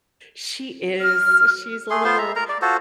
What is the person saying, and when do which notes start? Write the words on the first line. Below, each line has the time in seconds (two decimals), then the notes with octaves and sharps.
she is she's a little
1.01 F6
1.90 A3 G#4 C6
2.04 B3 F4 C5 C6
2.18 E5 A#5
2.36 A#4 A#5
2.49 D5
2.62 F4 F#4 A4 C5